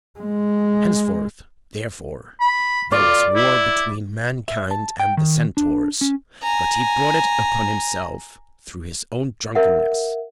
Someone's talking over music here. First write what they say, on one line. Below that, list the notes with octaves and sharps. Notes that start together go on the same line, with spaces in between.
Henceforth, therefore, there was war between mankind and the centaurs, but he brought it upon himself through his own drunkenness.
G#3
B5
F4 D5
E4
E5
A5
G5
D#3
D4
C#4
G#5 A#5
A#4 E5 F#5